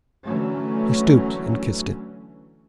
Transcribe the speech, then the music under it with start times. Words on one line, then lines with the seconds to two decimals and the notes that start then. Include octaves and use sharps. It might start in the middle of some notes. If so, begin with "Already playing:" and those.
He stooped and kissed it.
0.24 D3 E3 F#3 A3 C#4